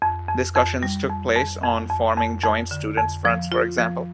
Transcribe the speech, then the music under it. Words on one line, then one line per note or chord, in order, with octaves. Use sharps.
Discussions took place on forming joint students fronts, for example.
F2
F2
F2
G3
F2
F2
F2
F2
F2
F2
D3
F2
F3
F4
F3